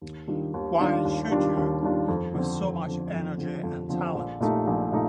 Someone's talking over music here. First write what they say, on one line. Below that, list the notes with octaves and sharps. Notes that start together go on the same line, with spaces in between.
Why should you, with so much energy and talent?
D#2
D#3 G3 D4 F4
D#2
D#3 G3 D4 F4
D#2
D#3 G3 D4 F4
D#2
D#3 G3 D4 F4
F2
D3 F3 C4
F2
D3 F3 C4
F2
D3 F3 C4
F2
D3 F3 C4
A#1
A#2 A3 D#4 G4
A#1
A#2 A3 D#4